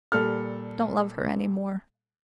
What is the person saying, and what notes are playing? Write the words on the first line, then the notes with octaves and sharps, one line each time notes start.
Don't love her any more.
A#2 G3 A4 F6